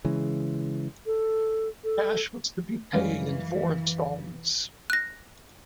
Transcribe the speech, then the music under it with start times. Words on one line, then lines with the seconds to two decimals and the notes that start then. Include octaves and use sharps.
The cash was to be paid in four installments.
0.05 C#3 E3 G#3
1.06 A4
1.84 A4
2.93 F#2 E3 G3 G#3 C#4 F5
4.90 F#6 A#6